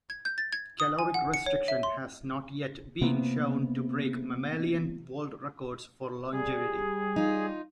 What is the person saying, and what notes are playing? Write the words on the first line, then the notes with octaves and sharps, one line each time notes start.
Caloric restriction has not yet been shown to break mammalian world records for longevity.
G#6
G6
A6
G#6
D#6
G#5
F#5
C#7
C#5
E5
C6
C3 A#3 B3
G3 G#4
D#4 F4